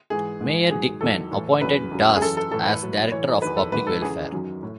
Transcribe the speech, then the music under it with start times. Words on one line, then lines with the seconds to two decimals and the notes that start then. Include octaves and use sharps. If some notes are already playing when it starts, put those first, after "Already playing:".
Mayor Dickmann appointed Darst as Director of Public Welfare.
0.10 G#2 E3 G#4
0.41 G#2 E3
0.71 G#2 D#3 F#3 G#4
1.01 E2 D#3 F#3 A4
1.31 A2 E3
1.61 E2 C#3 F#3 B4
1.91 E2 C#3 F#3
2.16 G#4
2.21 F#2 E3 A4
2.37 A4
2.51 A2 E3 A4
2.66 B4
2.82 A2 F#3
3.12 A2 E3 C#5
3.42 E2 D#3 F#3 B4
3.57 A4
3.72 G#2 D#3 F#3 B4
3.87 A4
4.02 E2 C#3 E3 G#4
4.32 F#2 D#3 F#3
4.63 A2